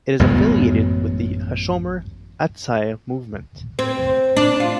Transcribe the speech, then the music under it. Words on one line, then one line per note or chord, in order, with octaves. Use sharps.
It is affiliated with the Hashomer Hatzair movement.
A1 F#2 G#3 B3
C4
D4
F4